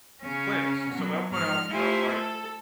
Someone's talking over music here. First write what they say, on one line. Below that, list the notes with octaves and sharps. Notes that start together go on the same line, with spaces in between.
clicks, so, they'll put out, you know, like,
C#3 C#4
B2 F#3
G#2 F3 F6
A3 E4 F4 G4 C5 G#5
A4